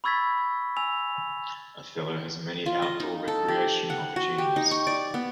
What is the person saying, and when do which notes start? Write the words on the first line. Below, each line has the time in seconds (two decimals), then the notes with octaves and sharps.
Othello has many outdoor recreation opportunities.
0.04 B5 C#6 E6 G#6 A6 B6
0.77 G#5 E6 F7
2.66 F4
2.82 D#5
3.00 D#4
3.28 A4
3.48 G4
3.90 F#5
4.16 F#4
4.38 G4
4.56 D#4
4.71 C#6
4.87 D5
5.14 B3